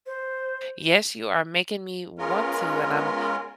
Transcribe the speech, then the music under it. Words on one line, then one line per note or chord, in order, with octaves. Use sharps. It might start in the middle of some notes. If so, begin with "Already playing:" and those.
Yes, you are making me want to, and I'm
C5
G#3 B3 C#4 F4 A#4